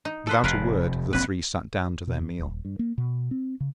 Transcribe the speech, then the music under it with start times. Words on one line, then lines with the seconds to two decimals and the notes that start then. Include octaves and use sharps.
Without a word the three sat down to their meal.
0.05 D#4
0.27 A4 B4 C5
0.44 F1 C3 A#4 B4 F5
1.13 E1 A#1 C4 B4
2.07 B2
2.21 F2
2.39 D#1
2.65 G2
2.79 A#3
2.98 B2
3.31 C4
3.60 C#3